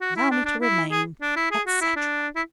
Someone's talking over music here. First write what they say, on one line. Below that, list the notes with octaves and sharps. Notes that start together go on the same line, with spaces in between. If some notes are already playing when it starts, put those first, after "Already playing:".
Allow me to remain, etc.
F#4
E4
D4
D4
E4
G#4
D4
E4
G#4
F#4
E4
D4
E4